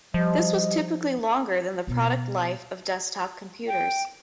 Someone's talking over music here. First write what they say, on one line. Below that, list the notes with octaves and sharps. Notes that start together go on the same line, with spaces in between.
This was typically longer than the product life of desktop computers.
F3 G3 D#5
B2
G5